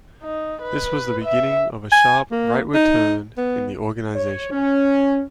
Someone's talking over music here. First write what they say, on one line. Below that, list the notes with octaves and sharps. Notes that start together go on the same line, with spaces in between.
This was the beginning of a sharp rightward turn in the organization.
D#4
B4
E5
G#5
A#3
D#4
B3
C#5
C#4